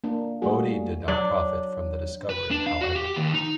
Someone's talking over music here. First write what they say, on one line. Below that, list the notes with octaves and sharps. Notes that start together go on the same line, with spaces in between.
Bodey did not profit from the discovery however.
A#3 D4
G3 A3 A#3 F#4 G#4
F#3 D4
B4
D4
F5
F#4
G4
D#2
D#4